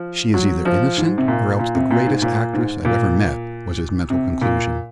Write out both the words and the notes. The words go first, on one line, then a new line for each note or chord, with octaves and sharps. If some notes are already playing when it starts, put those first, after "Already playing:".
"She is either innocent, or else the greatest actress I've ever met," was his mental conclusion.
Already playing: F3
F#3
F3
G#2
C3
A#2
A#2
C3
A#2
G#2
A#2
G#2
A#2
C3
A#2